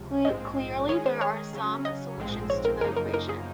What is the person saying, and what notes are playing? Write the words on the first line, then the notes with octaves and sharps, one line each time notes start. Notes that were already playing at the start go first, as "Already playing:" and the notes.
Clearly, there "are" some solutions to the equation.
Already playing: C#2 C3 F3
A#1 G#2 F3 G#3 C4 D#5
D#3 G#3 C#4 G#4 C#5
C5
C#5
C#3 F#3 C#4
D#5
A#1 G#2 F3 G#3 C4
C#5
A#4
F#2 C#3 F3 A#3 D#4 A#4
A#4
A#4
G#4